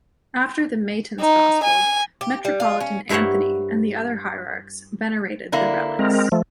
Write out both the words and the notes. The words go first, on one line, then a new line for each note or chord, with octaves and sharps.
After the Matins Gospel, Metropolitan Anthony and the other hierarchs venerated the relics.
D#4
G#5
G4
G3
F4
C#4
G2 E4 A#4 C5 C#5 F#5
D3 A#3 E4
G#3 C4 A#4
F3 A3